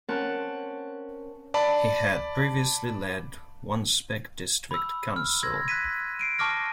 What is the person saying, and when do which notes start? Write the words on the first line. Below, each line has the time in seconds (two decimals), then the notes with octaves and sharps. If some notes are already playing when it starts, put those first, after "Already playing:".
He had previously led Wansbeck District Council.
0.09 C4 C#4 A#4 F#5 A5
1.54 D5 A5 B5
4.71 B5 E6
5.16 F6
5.43 C6 E6 G#6 A#6
5.68 F#6 G#6 B6 D#7
6.19 C7 D7 D#7
6.39 A5 C#6 D6 F6 A#6